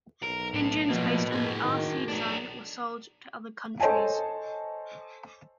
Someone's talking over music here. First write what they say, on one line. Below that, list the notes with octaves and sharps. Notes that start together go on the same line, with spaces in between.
Engines based on the Rc design were sold to other countries.
B1 A#4
A2
B2 F3 A#3
F#4 G#4
D#3
B1 D4 A#4
A4 C5 C#5 D#5 G#5 A5